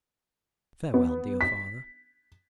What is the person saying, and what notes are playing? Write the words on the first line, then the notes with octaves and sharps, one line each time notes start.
Farewell, dear father!
B3
B6